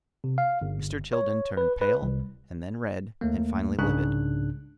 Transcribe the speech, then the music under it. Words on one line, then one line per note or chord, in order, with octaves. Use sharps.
Mr. Tilden turned pale, and then red, and finally livid.
C3
F5
G1
C#5
B4
B4
C2
D#2 A3 A#3
C2 G#2 C#3 D4 F#6